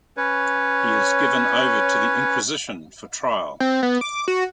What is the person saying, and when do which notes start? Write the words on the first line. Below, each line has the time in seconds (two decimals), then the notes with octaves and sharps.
He is given over to the Inquisition for trial.
0.17 C#4 B4 C#5
3.60 C4
3.83 B3
4.01 D6
4.28 F#4